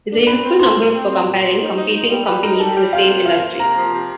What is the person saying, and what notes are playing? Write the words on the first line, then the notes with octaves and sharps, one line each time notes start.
It's a useful number for comparing competing companies in the same industry.
D4
A#2 B4 B5
C4
C4 C5 C6
A#2
C4
C4
A#2
A#2
D#4
D#4
D#4
G3
G3 B4 B5
D#4 A#4 A#5
G3 A4 A5
G3 G4 G5
C3 F4 F5
A#3
A#3 F4 F5
A#3
C3 A#4 A#5
F3
C3